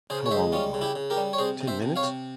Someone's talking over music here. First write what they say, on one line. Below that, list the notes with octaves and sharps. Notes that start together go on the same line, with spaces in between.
How long ago? Ten minutes?
C#3 G#4 C5
C#5
G#3 C5 E5
G3 C#4 F4
C#3
E4 G4
C#3
G4 A#4
G3
C#5
C3 G#4 C5
C3
C5 E5
C3
C#5 F5
C3